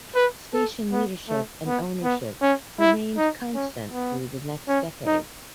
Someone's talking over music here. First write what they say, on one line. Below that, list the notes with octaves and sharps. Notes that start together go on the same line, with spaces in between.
Station leadership and ownership remained constant through the next decades.
B4
A4
B3
A3
B3
B3
C#4
E4
D#4
C#4
B3
C#4
D#4